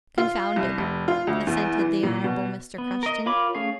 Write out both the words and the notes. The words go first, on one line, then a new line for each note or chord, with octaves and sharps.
'Confounded,' assented the Honourable Mr. Crushton.
F4
C2
F1
F4
D2
E2
E3
A#2
B2
B3
A#4 D#5
F4 A#4 C#5 B5 D6
A3 C#4 G#4 F5